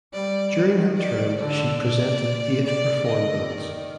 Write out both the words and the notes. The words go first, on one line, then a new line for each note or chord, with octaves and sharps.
During her term she presented eight reform bills.
G3 D5
D#3
D5
D3 D5
A#2 D5
C3 D5
D3 D#5
D#3 D5